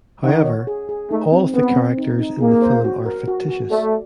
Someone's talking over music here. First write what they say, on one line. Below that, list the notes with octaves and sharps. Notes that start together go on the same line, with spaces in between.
However, all of the characters in the film are fictitious.
D#3 F#5
C#5
G#4
G#4
A3 D#4
C4
B3 C4
C4
D#4
D#4
A#3 G#4
C5
F#4
A#4
F#4
F#4
A3 D5